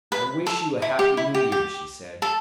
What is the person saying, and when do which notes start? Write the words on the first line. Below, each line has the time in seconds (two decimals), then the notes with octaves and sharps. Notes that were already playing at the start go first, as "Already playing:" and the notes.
"I wish you a happy New Year," she said.
0.12 B4
0.47 A4
0.82 E4
0.99 G4
1.17 E4
1.34 G4
1.52 G4
2.22 A4